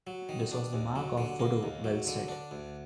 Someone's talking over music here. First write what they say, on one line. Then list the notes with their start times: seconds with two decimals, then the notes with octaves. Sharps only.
This was the mark of the voodoo, Welles said.
0.07 F#3
0.29 D#3
0.52 D4
0.73 D#2
0.96 F#3
1.18 D3
1.39 A#3
1.63 D#2
1.84 F#3
2.07 D3
2.28 D4
2.51 D2